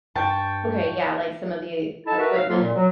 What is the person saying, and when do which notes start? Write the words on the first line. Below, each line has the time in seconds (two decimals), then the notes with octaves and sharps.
Okay, yeah, like, some of the equipment?
0.15 G2 G5 A5 C#6
2.07 D#4 E4 A4 A5
2.19 F#4 A#4 B4 E5
2.37 F5
2.50 F2 F#3 A#3 F4
2.61 A#2
2.75 F#3